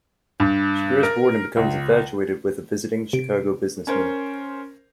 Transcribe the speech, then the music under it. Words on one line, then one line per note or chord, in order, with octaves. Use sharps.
She grows bored and becomes infatuated with a visiting Chicago businessman.
G2
A#4
C#2
C3 D7
C#4 A#4 C5